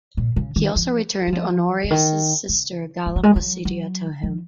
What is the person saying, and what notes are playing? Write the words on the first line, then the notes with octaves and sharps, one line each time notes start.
He also returned Honorius' sister Galla Placidia to him.
A#2
C#3
D#3
F3
F#3
F3
C#3
D#3
C#3
G#3
F#3
G#3
F#3
F#3
F3